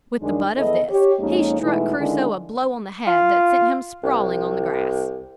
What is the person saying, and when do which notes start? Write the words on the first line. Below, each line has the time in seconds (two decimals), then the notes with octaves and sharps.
With the butt of this he struck Crusoe a blow on the head that sent him sprawling on the grass.
0.21 F#2 D#3 G#3 D4
0.56 E2 B3 E4 G#4 A4 D#5
0.88 G4 C#5
1.19 F2 G#3 A#3 C#4 D#4 C#5
1.60 B2 E3 G#3 A3 D#4 E4
1.97 D3 D#3 G#3 C#4 D4 E4
3.07 F4
4.03 C2